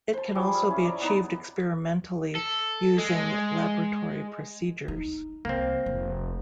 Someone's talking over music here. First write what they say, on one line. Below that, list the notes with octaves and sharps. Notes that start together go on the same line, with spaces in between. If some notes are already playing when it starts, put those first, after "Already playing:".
It can also be achieved experimentally using laboratory procedures.
C5 A5
F3 G3 G#4 D6
F5 E6
C#4 E4
D5 A#5
B3 D#4 C#5 A5
A4
G#3
D#4
C2 A#3 C4
F1